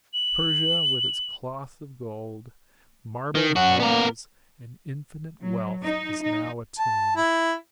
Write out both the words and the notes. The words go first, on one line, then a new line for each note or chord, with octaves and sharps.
Persia, with its cloth of gold, marble halls, and infinite wealth, is now a tomb.
F#7
D#3
C#4 F#4 F#5
A#3 B3 A#4
F#3
D#4
D#4
A5
E4